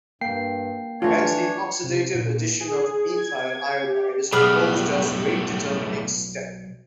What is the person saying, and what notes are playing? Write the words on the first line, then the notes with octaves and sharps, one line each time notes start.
Hence the oxidative addition of methyl iodide is proposed as rate-determining step.
G2 A#3 G5 C7
E3 A3 D4 F4 C#5
C3
A#2
G#4
G#6
G4
B1 A2 G3 B3 G#4 B5 F6